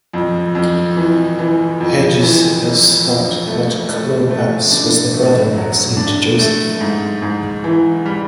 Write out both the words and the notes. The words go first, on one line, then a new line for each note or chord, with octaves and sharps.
Hegesippus thought that Clopas was the brother of Saint Joseph.
F2
F2
E3
E3
F2
E3
F2
F2
A3
A3
A3
D4
A3
F#3
D4
A3
G#2
G#2
E3
G3